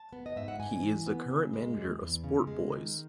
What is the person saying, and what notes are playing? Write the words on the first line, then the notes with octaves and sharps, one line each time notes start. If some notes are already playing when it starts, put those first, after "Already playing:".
He is the current manager of Sport Boys.
Already playing: A5
B3
D#5
G#2 E5
F#5
G#2 G#5
E3
B3
C#3
G#3
E2
E2
C#3
G#3
D#3